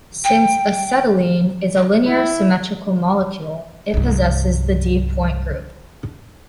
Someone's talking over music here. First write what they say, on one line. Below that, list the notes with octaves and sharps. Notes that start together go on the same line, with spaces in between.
Since acetylene is a linear symmetrical molecule, it possesses the D point group.
G5
E4
C2 G2